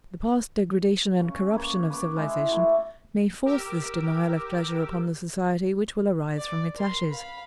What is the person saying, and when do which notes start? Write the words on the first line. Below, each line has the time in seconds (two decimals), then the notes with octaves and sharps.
The past degradation and corruption of civilization may force this denial of pleasure upon the society which will arise from its ashes.
1.19 C#3 C#5
1.53 A#3 B4 C#5
1.90 B4 D6
2.16 G#3 E4 C5
2.50 A3 E4 F#4
3.45 G4 A#4 D6 E6
6.36 D5
6.77 A#4 C6
7.10 F5 B5